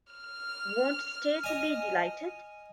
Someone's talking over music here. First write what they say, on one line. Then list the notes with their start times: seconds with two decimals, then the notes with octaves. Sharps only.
Won’t Stacy be delighted?
0.12 F6
1.44 D#5 G#5